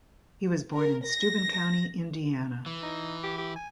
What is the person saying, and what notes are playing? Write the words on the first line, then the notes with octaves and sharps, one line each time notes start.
He was born in Steuben County, Indiana.
A#4
A#6
E3
D#4
G4
G4
G#5